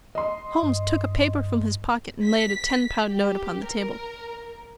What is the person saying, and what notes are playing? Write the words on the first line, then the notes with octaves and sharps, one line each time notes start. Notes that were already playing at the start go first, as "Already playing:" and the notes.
Holmes took a paper from his pocket and laid a ten-pound note upon the table.
D#5 C6
G2
B6
G4
A#4